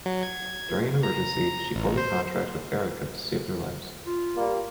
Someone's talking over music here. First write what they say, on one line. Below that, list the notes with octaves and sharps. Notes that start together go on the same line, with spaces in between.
During an emergency, she formed a contract with Arika to save their lives.
F#3
G#6
A#5
A1
C5
F4
G3 A#3